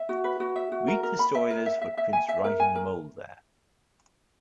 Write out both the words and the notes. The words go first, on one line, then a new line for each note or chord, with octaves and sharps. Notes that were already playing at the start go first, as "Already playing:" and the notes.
Read the story those footprints write in the mould there.
Already playing: E5
F#4
B4
F#4
E5
F#4
A#4
A#4
B5
E5
A#4
E5
E5
E5
G#5
E5
A#4
G#5
A#4